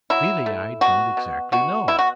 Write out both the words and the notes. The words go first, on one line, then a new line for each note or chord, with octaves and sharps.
"Really, I don't exactly know."
F#3 E4
A3
B2 F#4
B2
B2 F#4
B2 E4
F#4